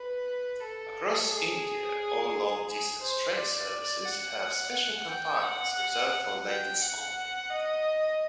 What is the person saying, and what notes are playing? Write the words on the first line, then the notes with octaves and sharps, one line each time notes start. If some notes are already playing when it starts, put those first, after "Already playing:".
Across India, all long distance train services have special compartments reserved for ladies only.
Already playing: B4
A4
G#4
G#4
C5
D5
F#5
F#5
G5
F#5
G5
F#5
D#5